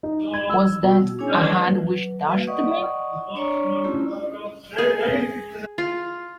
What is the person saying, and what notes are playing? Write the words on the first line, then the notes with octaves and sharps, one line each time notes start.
Was that a hand which touched me?
D#4
G#6
E6
B2
C#4 D4 E4 G#4 C#5 G#5
F#3 B4
F#4 B4
D5 D#5 F#5 C#6 D#6
D4 C#5 D5 A#5 C#6
A3 C4 C#4 E4 F4 G4
G#4
F4